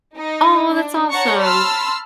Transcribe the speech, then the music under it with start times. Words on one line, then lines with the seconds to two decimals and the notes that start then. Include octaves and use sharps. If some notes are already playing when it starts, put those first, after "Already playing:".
oh, that's awesome!
0.17 D#4
0.72 D4
1.10 C#5 F#5 A5 A#5 C#6 C#7
1.42 A5 B5 C6 E6 F6